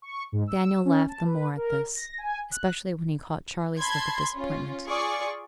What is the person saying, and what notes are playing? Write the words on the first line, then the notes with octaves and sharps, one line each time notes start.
Daniel laughed the more at this, especially when he caught Charley's look of disappointment.
C#6
G#2
E6
C#4
A5
B4
A#4
A#6
G#5
F#6
A5 B5 C6 G#6
C#4 F4
F4 G#4 D5 C#6